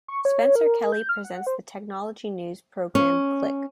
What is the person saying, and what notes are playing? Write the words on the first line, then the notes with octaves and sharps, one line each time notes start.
Spencer Kelly presents the technology news programme "Click".
C#6
C#5
A#4
G6
F6
F#5
C5
C#4